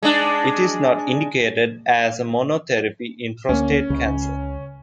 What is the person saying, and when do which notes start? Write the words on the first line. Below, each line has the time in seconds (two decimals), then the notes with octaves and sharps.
It is not indicated as a monotherapy in prostate cancer.
0.03 G#3 D4
3.49 D2 A#3 C#4
3.90 C#2 C#3